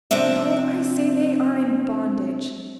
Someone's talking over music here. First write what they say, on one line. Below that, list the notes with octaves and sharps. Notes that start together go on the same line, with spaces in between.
Behold, I say they are in bondage.
C3 F3 C4 D4 E5